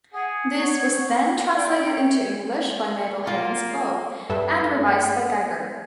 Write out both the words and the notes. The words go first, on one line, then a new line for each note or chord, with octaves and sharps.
This was then translated into English by Mabel Haynes Bode, and revised by Geiger.
G#4 F#5
C#5
D5 G5 A#5
C#5 G5
A#3 F4
G2 G3 A4 B4 E5
G#4 F5